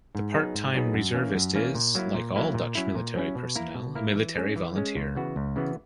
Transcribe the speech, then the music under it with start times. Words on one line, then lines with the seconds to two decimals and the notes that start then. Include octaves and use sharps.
The part-time reservist is, like all Dutch military personnel, a military volunteer.
0.15 G#2
0.34 F#3 B3 D#4 G#4
0.55 G#2
0.75 F#3 B3 D#4 G#4
0.94 F#2
1.14 E3 A#3 C#4
1.35 F#2
1.55 E3 A#3 C#4
1.75 A#2
1.95 F#3 A#3 E4
2.14 A#2
2.36 F#3 A#3 E4
2.54 A#2
2.75 F#3 C#4 E4
2.95 A#2
3.16 F#3 C#4 E4
3.35 B2
3.55 A#3 E4 A#4
3.75 B2
3.95 A#3 E4 A#4
4.15 E3
4.35 G#3 C#4
4.56 E3
4.76 G#3 C#4
4.96 C#2
5.15 C#3 E3 B3 F#4
5.36 C#2
5.56 C#3 E3 B3 F#4